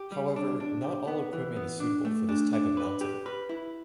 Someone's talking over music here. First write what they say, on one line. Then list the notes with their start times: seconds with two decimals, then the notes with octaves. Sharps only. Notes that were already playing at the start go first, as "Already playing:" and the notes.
However, not all equipment is suitable for this type of mounting.
Already playing: G4
0.12 G3
0.36 D4
0.60 D4
0.84 G4
1.07 B3
1.33 E3
1.56 B3
1.80 D4
2.05 A3
2.29 D4
2.53 D4
2.77 B4
3.01 G4
3.26 B4
3.49 E4